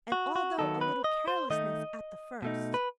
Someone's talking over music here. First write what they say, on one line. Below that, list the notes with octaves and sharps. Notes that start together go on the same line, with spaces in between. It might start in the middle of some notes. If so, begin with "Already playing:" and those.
And all though a little carelessness at the first.
F#4
F#4
D#3 F#3 B3 D#4 A4
B4
D#5
C5
D#3 A3 D#4 D#5
B2 A3 D#4
B4